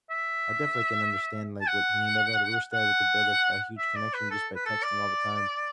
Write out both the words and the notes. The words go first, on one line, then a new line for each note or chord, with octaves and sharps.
I definitely can understand, like, what you mean by that, we were still able to build a f a huge connection just by texting all the time.
E5
A5
F#5
F#5
E5
D5
B4
A4
B4
A4
D5